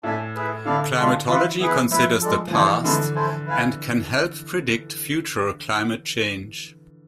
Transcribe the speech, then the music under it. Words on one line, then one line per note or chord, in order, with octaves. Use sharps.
Climatology considers the past and can help predict future climate change.
A2 D4 A4 E5 G#5
E4 G#4 B4
D3 E4 A4 D5 F5
G#3 D4 F4
E3 F4 B4 E5
B3 E4 G#4 B4
F3 E4 B4 E5
G#3 D4 A4
F3
E3 D4 G#4 C5 G#5
D3 G#3 B3 E4 A4
E4 A4 C5 G#5
E4 B4 F5 G#5